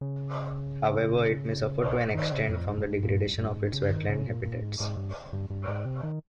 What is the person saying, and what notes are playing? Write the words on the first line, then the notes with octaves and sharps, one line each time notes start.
However, it may suffer to an extent from the degradation of its wetland habitats.
C#3
D#3
C#3
F2
G2
G2
G#2
A#2
G2
G2
G#2
C#3
D#3
C#3
A#2
A#2
G#2
G#2
G2
G2
G2
G#2
C3
D#3